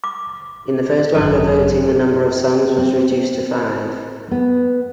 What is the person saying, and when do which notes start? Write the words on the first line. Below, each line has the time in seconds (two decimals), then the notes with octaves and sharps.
In the first round of voting, the number of songs was reduced to five.
0.04 D6
1.15 G#1 F#2 A4
2.78 C4
4.31 B3